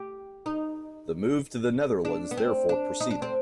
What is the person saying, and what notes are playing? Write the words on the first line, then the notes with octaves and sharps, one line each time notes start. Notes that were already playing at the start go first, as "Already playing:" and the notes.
The move to the Netherlands therefore proceeded.
Already playing: G4
D#4
D4
B3
C4
D4
D#4
D4
C4